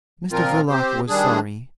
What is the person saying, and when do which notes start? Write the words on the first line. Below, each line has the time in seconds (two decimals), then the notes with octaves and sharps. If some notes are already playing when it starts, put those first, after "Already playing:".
Mr Verloc was sorry.
0.30 A#2 F3 C4 F4 A#4
0.68 C4 G4 C5
1.08 D#3 G3 D4 G#4